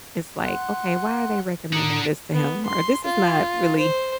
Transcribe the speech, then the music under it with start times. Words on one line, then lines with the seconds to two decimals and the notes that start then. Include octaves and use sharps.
it's like, "Okay, why are they recommending this to him?" Or, "This is not really
0.44 F#5 C6 F#6
1.73 A2 D4 F#5 A#5 D#6
2.31 B3
2.66 C6
3.04 F4
3.78 C5